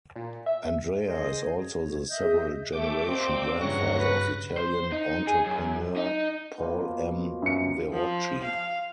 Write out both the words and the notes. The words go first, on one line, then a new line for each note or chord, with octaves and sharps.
Andrea is also the several generation grandfather of Italian entrepreneur, Paul M. Verrochi.
A#2
E5
G#4 C5 D#5
C#5
D#5 E5 G6
G#4
A3 G5 D6
A#2 C4 G4 C5 D#5
G2 A#2 C#3 E3 F#3 C#6 F#6 A#6
B4
C5
D#4
G#4
F#2
D#4
B2 F3 A#3
F#2 C#7
F3
F5